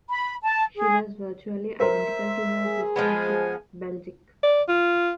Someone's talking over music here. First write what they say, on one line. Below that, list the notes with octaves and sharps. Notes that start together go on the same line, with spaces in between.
She was virtually identical to her sister ship "Belgic".
B5
A5
G#4
A#4 C5 E5
G#4
F3 G#3 B3 G#5
D5
F4